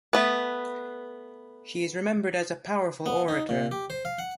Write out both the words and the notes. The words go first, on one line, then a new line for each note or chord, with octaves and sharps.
She is remembered as a powerful orator.
A3 B3 B4
B3
D#4
A#2
G4
C5
F5
F#5